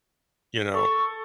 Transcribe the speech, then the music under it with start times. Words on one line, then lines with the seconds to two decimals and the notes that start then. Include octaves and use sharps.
you know,
0.74 A4 C#6